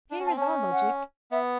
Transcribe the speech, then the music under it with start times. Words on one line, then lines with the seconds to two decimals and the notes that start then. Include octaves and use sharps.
Here is our logic.
0.11 D4
0.19 C#4
0.26 C4 A5
0.36 C#4 A5
0.72 F#5
1.31 B3 E5